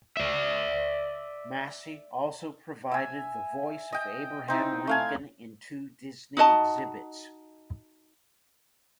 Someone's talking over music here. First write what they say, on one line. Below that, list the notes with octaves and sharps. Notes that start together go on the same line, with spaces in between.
Massey also provided the voice of Abraham Lincoln in two Disney exhibits.
D5 E5
E5 G#5
D#5 G5
C4 D#4 E4
A3 F5 G#5
D#4 F#4 D#5 A5